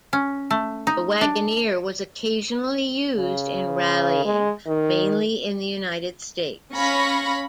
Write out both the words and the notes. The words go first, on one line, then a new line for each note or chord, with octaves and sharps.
The Wagoneer was occasionally used in rallying, mainly in the United States.
C#4
A3
D#4
D4
C#3
G#3
D#3
C#4 F5 B5 C#6 A#6